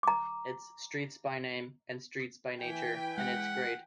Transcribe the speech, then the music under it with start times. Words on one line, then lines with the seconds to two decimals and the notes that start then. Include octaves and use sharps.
It's Streets by name, and streets by nature, and it's great.
0.03 A#5 D6
2.60 E3 G5 G#5 B6
3.17 G#3 F#5